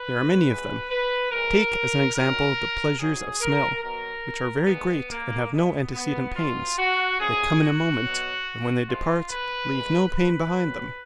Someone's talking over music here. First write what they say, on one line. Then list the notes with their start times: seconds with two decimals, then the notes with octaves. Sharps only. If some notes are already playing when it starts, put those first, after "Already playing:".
There are many of them: take as an example the pleasures of smell, which are very great and have no antecedent pains; they come in a moment, and when they depart leave no pain behind them.
Already playing: B4
0.47 B2 G#3
0.90 B4
1.31 A#2 F3 G#3 A#4
2.15 F#2 D#3 F#3 A#4
2.99 G#2 F#3 G#4
3.41 A#4
3.84 B2 F#3 A#4
4.67 A#2 G#3 B3
5.10 A#3
5.51 B2 G#3 B3
5.93 B3
6.35 B2 F#3 F4
6.78 F#4
7.19 F#2 C#3 F3 G#4
7.62 F#4
8.04 B2 F#3
8.87 F#2 F3 G#3 F4
9.30 B4
9.71 A#2 G#3
10.13 B4
10.55 A#2 F#3